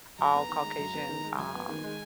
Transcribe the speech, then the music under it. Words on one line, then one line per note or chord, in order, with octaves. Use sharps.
all Caucasian, um,
F#2 A#5
B3
D#3
G#3
F#2
B3
D#3
G#3
F#2 G#5
B3
D#3
G#3